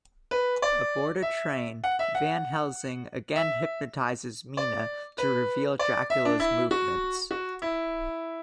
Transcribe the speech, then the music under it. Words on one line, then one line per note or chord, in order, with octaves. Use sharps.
Aboard a train, Van Helsing again hypnotizes Mina to reveal Dracula's movements.
B4
D5
E5
F#5
E5
F#5
E5
D5
B4
D5
E5
D4
E4
F#4
F#4
E4